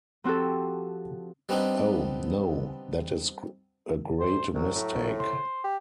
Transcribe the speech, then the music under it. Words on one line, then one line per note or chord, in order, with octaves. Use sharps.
Oh, no; that is a great mistake.
F3 C4 F#4 G4 A4
G3 B3 C4 D4 D#4
D2 C5
C2 F#3
A2
C5
G4